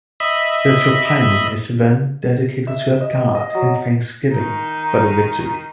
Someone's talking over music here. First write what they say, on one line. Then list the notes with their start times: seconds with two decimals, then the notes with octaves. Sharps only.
The "tropaion" is then dedicated to a god in thanksgiving for the victory.
0.20 D#5 E5 B5
2.67 E5
3.01 D#5
3.35 D#5
3.55 F#3
4.33 D#3 D#4